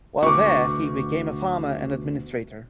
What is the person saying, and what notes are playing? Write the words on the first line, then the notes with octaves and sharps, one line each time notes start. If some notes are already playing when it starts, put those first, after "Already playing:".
While there he became a farmer and administrator.
D2 B2 C#6 D6